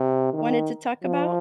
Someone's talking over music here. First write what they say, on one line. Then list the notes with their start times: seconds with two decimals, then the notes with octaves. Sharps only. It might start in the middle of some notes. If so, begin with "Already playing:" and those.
wanted to talk about?
Already playing: C3
0.33 D#3
1.04 F3